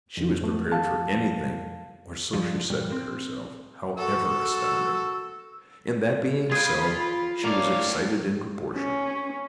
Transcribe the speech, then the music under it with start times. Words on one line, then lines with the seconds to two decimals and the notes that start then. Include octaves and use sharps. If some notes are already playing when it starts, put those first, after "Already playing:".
She was prepared for anything, or so she said to herself, however astounding; and, that being so, she was excited in proportion.
0.17 F2
0.41 G#2 A3 B3
0.72 F5 A5
2.33 G1 E2 G2 F3
2.70 G2 A#2 G3
2.92 C4
3.97 F#4 A4 E6
6.52 F4 G#4 G5 B5
7.44 A2 A3 A#3 C#5 D5 F5
8.76 C#4